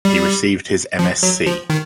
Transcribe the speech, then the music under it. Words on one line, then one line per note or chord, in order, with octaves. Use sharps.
He received his M. Sc.
G3
F3
F#3
F3
D#3